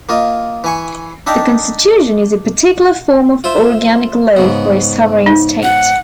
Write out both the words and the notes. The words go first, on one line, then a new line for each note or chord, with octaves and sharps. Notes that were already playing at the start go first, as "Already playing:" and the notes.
A constitution is a particular form of organic law for a sovereign state.
A#3 F4 D#5
E3 G#5 C#6
D4 D#4 E5 G5 A5 A#5
F4 C5 E5
G#2 C#3 B3
D#4
F#5